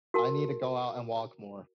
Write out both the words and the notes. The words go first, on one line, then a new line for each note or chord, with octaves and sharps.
I need to go out and walk more.
F#4 A#4 A5